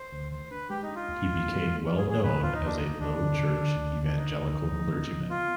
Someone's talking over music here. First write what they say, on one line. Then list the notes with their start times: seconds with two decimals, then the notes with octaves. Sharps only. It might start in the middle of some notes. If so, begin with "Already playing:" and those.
He became well known as a low church evangelical clergyman.
Already playing: C5
0.12 D2
0.31 D#3 C5
0.50 D4 B4
0.70 G#3 G4
0.83 D#4
0.88 D4
0.95 F4
1.08 D#2
1.28 D#2
1.46 D#3
1.66 G#3
1.85 F3
1.98 G#4
2.05 D#2
2.10 G#4
2.24 D3 B4
2.42 D#2 F4
2.54 D#4
2.61 D#2 D4
2.76 D#4
2.82 D#2
3.00 D#2 D4
3.19 D3
3.39 D3
3.58 D3
3.76 D2
3.96 D2
4.04 D4
4.15 D3 D#4
4.34 D2
4.54 D2
4.73 F3
4.92 B3
5.11 F3
5.30 B3 F4